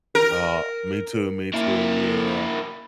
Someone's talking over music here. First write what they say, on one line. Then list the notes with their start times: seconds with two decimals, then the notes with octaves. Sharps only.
Uh, me too. Me too. Yeah.
0.15 A#4
1.54 A#3 E4